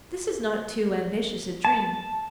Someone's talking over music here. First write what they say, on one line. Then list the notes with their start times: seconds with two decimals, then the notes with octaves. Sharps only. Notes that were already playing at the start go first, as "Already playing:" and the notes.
This is not too ambitious a dream.
1.65 A5